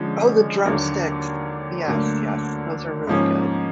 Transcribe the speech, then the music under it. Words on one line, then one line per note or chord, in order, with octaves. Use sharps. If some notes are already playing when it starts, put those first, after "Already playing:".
Oh, the Drumsticks. Yes, yes. Those are really good.
Already playing: D3 F3 G#3 C#4
D#2 D3 F#3 A#3
D2 D3 F#3 A#3
G#2 F3 A#3 C#4